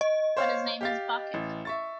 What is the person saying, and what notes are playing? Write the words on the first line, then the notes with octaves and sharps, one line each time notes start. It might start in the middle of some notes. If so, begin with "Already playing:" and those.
But his name is Bucket.
D#5
C5 C#5 F5
G4 F5 A6
A1
E5 C#6 A6